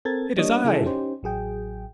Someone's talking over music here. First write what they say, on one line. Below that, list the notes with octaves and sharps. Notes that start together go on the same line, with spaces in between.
"It is I."
C4 A4 A#4 G#6 A6
G3 A#3 D4 C#5 D#5
C#3 G3 E4 G#4 A4
C#4 D#4 G4 C5
A1 F#3 G#4 G5